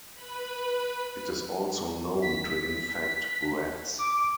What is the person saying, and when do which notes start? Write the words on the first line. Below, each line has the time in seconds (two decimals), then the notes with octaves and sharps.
It is also known to infect rats.
0.13 B4 B5
2.22 B6
3.99 D6